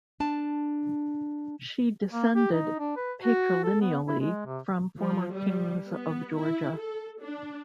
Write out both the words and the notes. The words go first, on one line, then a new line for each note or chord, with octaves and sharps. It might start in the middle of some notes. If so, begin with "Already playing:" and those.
She descended patrilineally from former Kings of Georgia.
D4 A5
A#3
G4
D#4
D4
B4
F#4
A4
B3
E4
G#3
C3
F3
G3
B3
E4
A4
D4